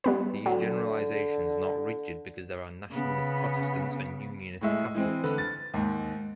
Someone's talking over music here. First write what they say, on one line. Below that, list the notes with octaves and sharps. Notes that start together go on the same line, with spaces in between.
These generalizations are not rigid because there are nationalist Protestants and unionist Catholics.
G3 B3 B4
D3 F#3
C#3 B3
A2 G#3 E5
E3 G#3 C4
D3 B4
A6
D#2 G#2